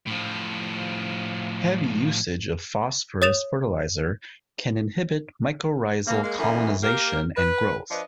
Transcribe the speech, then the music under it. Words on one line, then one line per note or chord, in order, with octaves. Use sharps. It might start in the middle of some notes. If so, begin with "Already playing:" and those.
Heavy usage of phosphorus fertilizer can inhibit mycorrhizal colonization and growth.
A2 F3
C#5 D#6 A6 E7 F7
G2 A#3
G#3 A#3
F#2 A2 D#3 E3
A#3 G4 A#4
B4
F3 D4 B4 D#5